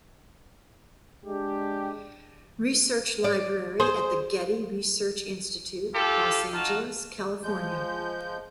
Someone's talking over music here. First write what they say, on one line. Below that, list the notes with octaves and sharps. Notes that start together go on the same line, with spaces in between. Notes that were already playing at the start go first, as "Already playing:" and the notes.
Research Library at the Getty Research Institute, Los Angeles, California.
G#3 D4 G4
D5
G#4 C5
F4 G4 A4
D#4 F4 F#4 A5
F3 G#3 G6